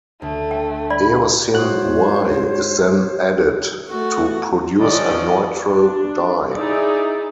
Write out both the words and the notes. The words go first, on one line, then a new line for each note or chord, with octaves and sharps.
Eosin Y is then added to produce a "neutral" dye.
D2 A3
G5
D5 B5
G#2 F#4 C5 C#5 F#6
A3 F#4
D#3 F3 C#4 F#4 D5 D#5
D4
D#4 E4 G#4 D5